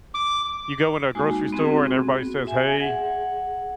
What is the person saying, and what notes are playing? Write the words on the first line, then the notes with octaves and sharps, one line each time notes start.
you go in a grocery store, and everybody says hey.
D6
G#3 A#3 D#4 F#4 G#5
B3 C4 F#4 G#4
E5 G#5
G#4 F#5